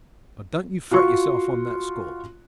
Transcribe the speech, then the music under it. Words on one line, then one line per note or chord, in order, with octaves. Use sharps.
But don't you fret yourself on that score.
F4 F#4 C6 C#6